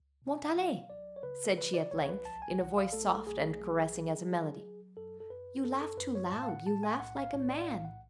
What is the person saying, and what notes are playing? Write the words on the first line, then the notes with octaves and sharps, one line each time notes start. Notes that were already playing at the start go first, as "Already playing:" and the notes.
Montalais!" said she at length, in a voice soft and caressing as a melody, "you laugh too loud--you laugh like a man!
Already playing: C#2
B2
G#5
F#5
F#3 F5
C#2 D5
C#5
C#3 B4
F3 B4
D5
C#2 C#5
C#5
B4
B1 A5
G#5
B1 F#5
F5
A3 A4
B1 G#4
F#3
F#3
F#3
F#3
F#2 A4
A4
F#2 B4
F#2 A4
A4
F#2 B4
C#5
A2 A5
F5
F#5
A2 A5
G#5
B1 F#5
F5
A2 C#5
D5
F#5
B1 F5
F#5